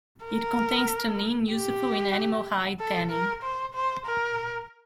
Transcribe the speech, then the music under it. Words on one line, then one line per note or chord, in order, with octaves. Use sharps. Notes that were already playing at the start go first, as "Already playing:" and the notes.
It contains tannin useful in animal hide tanning.
A#4
G4
A4
A#4
C5
C5
A#4